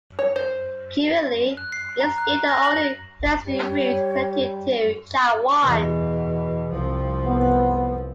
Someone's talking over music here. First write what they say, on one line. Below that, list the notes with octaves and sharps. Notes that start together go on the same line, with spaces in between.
Currently, it is still the only pedestrian route connecting to Chai Wan.
C#5
C5
F#6
C7
A#5
F#6
A#6
F#7
G3 C#5
E2 B2
C2 F3
B3